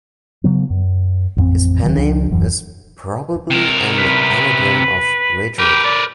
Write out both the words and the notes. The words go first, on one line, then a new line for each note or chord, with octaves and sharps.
His pen name is probably an anagram of Richard.
C#3 F#3 B3
F#2
A1 F2 B3 C4
D#1 D#3 F#3
C#2 F3 D4
D#1 F#2 E3
C3 A#4
B4
G4 A#4 B4
D5